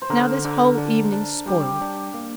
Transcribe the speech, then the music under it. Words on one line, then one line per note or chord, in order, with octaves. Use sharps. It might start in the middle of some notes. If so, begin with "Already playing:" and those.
Now this whole evening's spoiled.
C5
D3 A#4
D3
D4
D4
G3 G4
D4
A#3